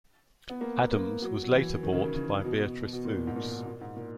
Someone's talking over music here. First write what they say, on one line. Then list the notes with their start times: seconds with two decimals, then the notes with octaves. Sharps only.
Adams was later bought by Beatrice Foods.
0.49 B3
0.61 A#3
0.80 B3
0.92 A#3
1.22 F#3
1.43 F#3
1.53 E3
1.83 D#3
1.92 C#3
2.01 D#3
2.14 C#3
2.44 B2
2.93 B2
3.05 A#2
3.27 G#2
3.36 A#2
3.51 G#2
3.66 A#2
3.81 G#2
3.96 A#2